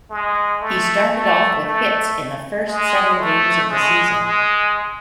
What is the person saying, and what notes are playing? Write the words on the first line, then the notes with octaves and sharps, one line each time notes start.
He started off with hits in the first seven games of the season.
G#3
A3
A3
A3
G#3
A3
G#3
G#3